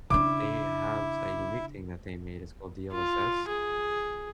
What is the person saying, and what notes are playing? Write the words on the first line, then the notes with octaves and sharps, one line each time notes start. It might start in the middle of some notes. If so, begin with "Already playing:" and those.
they have a unique thing that they made, it's called DLSS,
C#3 D4 E4 E5 D6
F4
G#4